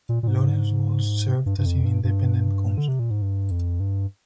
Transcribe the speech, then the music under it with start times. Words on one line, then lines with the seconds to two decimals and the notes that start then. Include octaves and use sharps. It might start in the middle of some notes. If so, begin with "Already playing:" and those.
Lawrence Walsh served as in independent counsel.
0.09 A#2
0.23 A#2
0.28 G#2
1.46 G2
1.58 G2
1.66 F2
1.85 G2
2.04 G2
2.78 D3
2.88 C3
2.99 A#2
3.11 G#2
3.22 G2
3.51 F2
3.80 G2